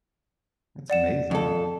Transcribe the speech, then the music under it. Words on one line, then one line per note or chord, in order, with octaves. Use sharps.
That's amazing.
D5 F#5 E7
F2 A4